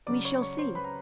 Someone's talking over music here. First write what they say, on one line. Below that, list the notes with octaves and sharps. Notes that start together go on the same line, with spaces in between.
"We shall see."
C#3 F#3 D5 D6
C#5 C#6
C#5 C#6
C5 C6
B4 B5
A#5